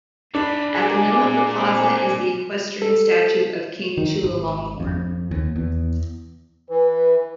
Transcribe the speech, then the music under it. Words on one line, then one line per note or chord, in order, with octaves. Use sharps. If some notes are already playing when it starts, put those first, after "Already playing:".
At the middle of the plaza is the equestrian statue of King Chulalongkorn.
D3 D4 B5
A#2 G#4 G#5 D6
C4
A4
D#3
G#1
F2
D#2
E2
E3 B4